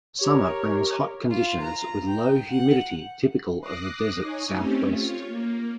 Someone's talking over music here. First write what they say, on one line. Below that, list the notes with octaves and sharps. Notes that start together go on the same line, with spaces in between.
Summer brings hot conditions with low humidity typical of the desert southwest.
G4 A#4 C#5
F4
A#5
G5
F#5
D6 D#6 F#6 A#6 C7
D#4 C#5 G#5
A3 C4 C#4 G4
F4 C#5
A#3